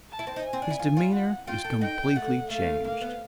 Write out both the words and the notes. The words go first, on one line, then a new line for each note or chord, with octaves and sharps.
His demeanour is completely changed.
A5
E4
C4
D#4
G#5
C4
D4
E4
F4
F4
F#5
F4 G5
A4
D#4 G5
A3 F#5
A3 F5
A#3 F5
B3